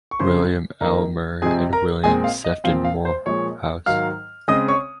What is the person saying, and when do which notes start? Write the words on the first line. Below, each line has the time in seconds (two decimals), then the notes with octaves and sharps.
William Aylmer and William Sefton Moorhouse.
0.11 C#6
0.20 F#2 C#3 F3 C5 C6
0.81 F#2 D#3 A#3 A#4 A#5
1.42 F2 C3 F3 C4 G#4 G#5
1.73 A#4 A#5
2.03 A#2 G#3 C4 G#4 G#5
2.24 F5
2.44 D#5
2.64 A#2 F3 C4 F5
2.85 F5
3.05 C5 C6
3.26 A#2 F3 G#3 C#5 C#6
3.86 G#2 D#3 F#3 F5 F6
4.48 C#3 G#3 C4 D#5 D#6
4.68 C#5 C#6